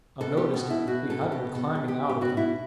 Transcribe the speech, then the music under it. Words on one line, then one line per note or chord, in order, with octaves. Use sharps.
Unnoticed, we had been climbing out of them.
B2 A4
G4
B2 A4
E4
B2 F#4
A4
B2
G4
B2 A4
A4
B2 G4
G4
B2 F#4
E4